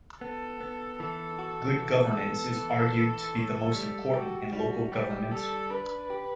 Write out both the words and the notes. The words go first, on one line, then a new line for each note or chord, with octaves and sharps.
Good Governance is argued to be the most important in local governments.
B3 A4
B3
E3 A4
F#4
E3
B3
E3
E3
A2
G3
F#4 G4
G3 F#4
G3 G4
G3 A4
D4 B4
G4